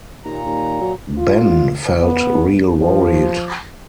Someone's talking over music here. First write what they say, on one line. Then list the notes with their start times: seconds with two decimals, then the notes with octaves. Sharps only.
Ben felt real worried.
0.25 D#2 A#2 A#5
0.45 D#2
0.81 F#3
1.17 F4
2.01 B3
2.81 F3